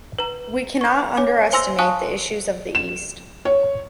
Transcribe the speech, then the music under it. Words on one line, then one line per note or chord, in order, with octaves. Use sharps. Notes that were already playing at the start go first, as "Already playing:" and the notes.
We cannot underestimate the issues of the East.
B4 A#5
C#6 G6
C#5 G#5 D6
C5 G#5 C6 E6 A#6 F7
F5 G#5 A5 C#6 D#6 F#6
E7
C#5